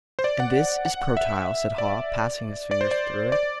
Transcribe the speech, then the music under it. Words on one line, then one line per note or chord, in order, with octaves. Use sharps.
"And this is protyle," said Haw, passing his fingers through it.
C5
D5
F#5
F#5
F#5
E5
D5
D5
C5
D5
D5